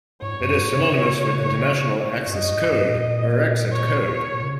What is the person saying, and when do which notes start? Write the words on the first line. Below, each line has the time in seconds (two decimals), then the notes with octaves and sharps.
It is synonymous with international access code or exit code.
0.22 G#2 C#5
0.40 F#2
0.57 G#2
0.75 C#3
0.92 C#3
2.27 G#2
2.32 F#2 D#5
2.50 G#2
2.74 G#2
2.85 A#2
3.72 C#5
4.07 C#5
4.34 A#2
4.42 C#3